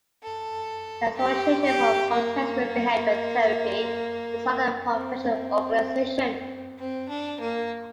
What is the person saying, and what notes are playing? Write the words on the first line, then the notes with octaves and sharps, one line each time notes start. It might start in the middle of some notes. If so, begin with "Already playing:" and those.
The Association for Contextual Behavior Therapy is another professional organization.
A4
G4
G4
A#3
C4
C4
D4
A#3